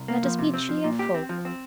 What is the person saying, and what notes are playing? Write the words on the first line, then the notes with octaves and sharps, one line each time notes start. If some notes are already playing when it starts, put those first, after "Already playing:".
Let us be cheerful.
Already playing: C2
A#3
F3
C3
C4
F3
A#2
G4
C4
F3
C4